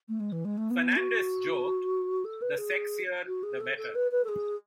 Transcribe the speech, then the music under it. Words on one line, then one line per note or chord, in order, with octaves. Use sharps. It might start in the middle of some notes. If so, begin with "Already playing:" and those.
Fernandes joked The sexier the better.
A3
G#3
E3
G#3
A3
B3
F#4
A4
B4
G#4
F#4
G#4
A4
A4
B4
B4
A4
G#4